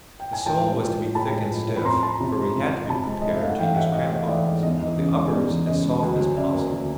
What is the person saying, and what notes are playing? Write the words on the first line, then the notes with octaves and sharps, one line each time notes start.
The sole was to be thick and stiff -- for we had to be prepared to use crampons -- but the uppers as soft as possible.
G5
G#5
A2 G5 A5
G#3
F3
A2
A2 A5 B5
G#3
F3
A2
B5
F2 A#5 C6
F3 A5 B5
C3
G#3
F2
F3
C3 A5 B5
G#3
G#2 D#5
E5
A3 F5
F#5
E3 F5 G5
G#2 E5 F#5
G#2 D#5 F5
A3
E3 D5 E5
G#2
E2 D#5
E3
C#3
G#3
E2 D5
E3
C#3 D#5
G#3
D2
F#3
C#3 D5 E5
A#3
D2